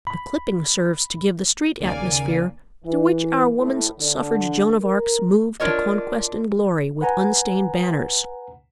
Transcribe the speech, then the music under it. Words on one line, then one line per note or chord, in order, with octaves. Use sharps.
The clipping serves to give the street-atmosphere through which our Woman's Suffrage Joan of Arcs move to conquest and glory with unstained banners.
B5
D#2 C#3 A#3 D5 F5 G#5
E3
A2
D3
A#4
D4 F4 A#4 C#5 D#5
B4 F#5 G#5 A#5